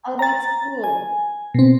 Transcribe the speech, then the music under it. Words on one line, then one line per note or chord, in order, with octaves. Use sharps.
Oh, that's cool.
A#5 A6
G#5
B2 C4